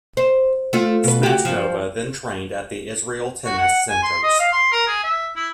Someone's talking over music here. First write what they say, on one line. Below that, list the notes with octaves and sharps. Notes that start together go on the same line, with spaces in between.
Smashnova then trained at the Israel Tennis Centers.
C5
A3 F4
B2 B4
F#4 G4
G2 F3
F#4
F#5
G#5
C6
D#5
F5
C6
A#4
G#4
E5
E4